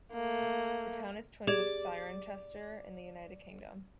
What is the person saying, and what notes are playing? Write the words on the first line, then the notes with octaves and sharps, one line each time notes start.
The town is twinned with Cirencester in the United Kingdom.
A3 A#3
G4 G#4 D5 G#6